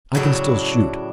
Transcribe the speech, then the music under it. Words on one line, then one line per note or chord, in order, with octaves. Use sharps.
I can still shoot.
A2 C#3 F#3 D4